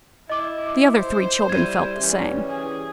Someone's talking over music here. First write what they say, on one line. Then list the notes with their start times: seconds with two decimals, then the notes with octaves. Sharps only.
The other three children felt the same.
0.30 E4 D#5 D6
0.96 C5
1.49 G3 E4 G#6 D#7
2.00 E3 G3 C#4
2.48 G#4